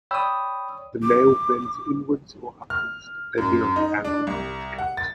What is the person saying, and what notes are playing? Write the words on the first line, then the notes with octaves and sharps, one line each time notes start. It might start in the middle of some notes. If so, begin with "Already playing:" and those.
The nail bends inwards or upwards depending on the angle of its cut.
C#5 D5 G5 B5 D#6 E6
D6
F6
F#2
D#4
D4
C2
F#5
A6